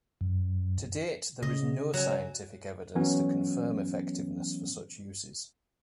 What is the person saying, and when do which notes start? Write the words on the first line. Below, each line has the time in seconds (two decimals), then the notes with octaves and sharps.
To date there is no scientific evidence to confirm effectiveness for such uses.
0.21 F#2
1.43 C#3 D#5
1.94 F#3 G#5
2.95 E3 F#3 B3 C#4